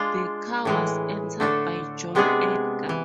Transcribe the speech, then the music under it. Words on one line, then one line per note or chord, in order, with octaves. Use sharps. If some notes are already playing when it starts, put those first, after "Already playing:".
The car was entered by John Edgar.
Already playing: G#3 D4 F4
A2 E3 G#3
D3 A3 D4 A4
C3 G#3 B3 D4 G#4
E3